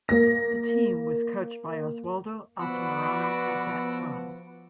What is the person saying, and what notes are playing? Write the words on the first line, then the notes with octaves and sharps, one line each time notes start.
The team was coached by Oswaldo Altamirano at that time.
A#3 A#6
F3 B3 F#4 D5 F#5 B5 E6